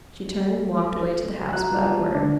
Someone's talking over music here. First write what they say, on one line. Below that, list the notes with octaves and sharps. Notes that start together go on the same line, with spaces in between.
She turned and walked away to the house without a word.
A4
F#4 A#5 F#6
G3 F4 B4 D5 A5
D3 D4